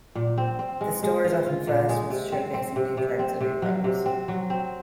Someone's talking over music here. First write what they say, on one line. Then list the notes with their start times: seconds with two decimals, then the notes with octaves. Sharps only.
The store is often first with showcasing new trends and new products.
0.15 A#2
0.38 C4
0.59 C4
0.81 G#3
1.03 G#3
1.25 F4
1.46 F4
1.67 A#2
1.89 G#3
2.10 C3
2.32 C4
2.54 C4
2.76 C3
2.97 C3
3.19 C4
3.41 C3
3.62 F#3
3.84 C3
4.06 C4
4.28 F#3
4.50 C4